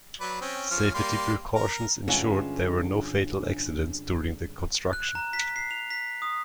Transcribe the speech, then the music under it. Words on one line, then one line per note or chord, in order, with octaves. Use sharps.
Safety precautions ensured there were no fatal accidents during the construction.
F#3 B4 D5
C4 C#4
F3 C#4 F6
G3 A#3 C6
A#4
G2 D3 G#3 C#4 F4 E5
F#6
A#5
B6
C7
F7
B6
D#6